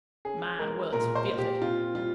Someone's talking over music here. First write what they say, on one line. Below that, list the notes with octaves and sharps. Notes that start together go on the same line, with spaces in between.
Mine was filthy.
C#4 G#4
G#3 A#4
A#2 A#4
C5
A#2
G4
C4 F4
G3 F4